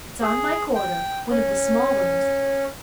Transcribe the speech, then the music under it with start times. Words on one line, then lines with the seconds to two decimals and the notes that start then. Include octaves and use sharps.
It's on my corridor--one of the small rooms.
0.22 G#4
0.75 G5
1.30 C#4